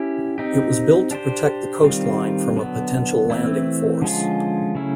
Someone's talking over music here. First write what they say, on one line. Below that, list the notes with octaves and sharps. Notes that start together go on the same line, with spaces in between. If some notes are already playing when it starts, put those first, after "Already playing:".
It was built to protect the coastline from a potential landing force.
Already playing: C#4 E4 G4
C4 D#4 G4
D4 G4 C5
D#3 G3 C4 F4
D3 F#3 B3
E3 A3 C4 E4
D3 F3 G#3 C#4 F4
C#3 F#3 A3 C#4 E4